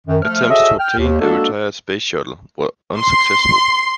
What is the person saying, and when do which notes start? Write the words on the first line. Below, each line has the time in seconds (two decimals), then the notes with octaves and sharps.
Attempts to obtain a retired Space Shuttle were unsuccessful.
0.07 F#2 D#3
0.22 F3 A3 F6
0.49 F#4 G#4 A4 C#5 D#5 E5
0.79 G5 F6
0.98 D#2
1.21 G#3 A#3 D4 F#4 A4
2.98 C6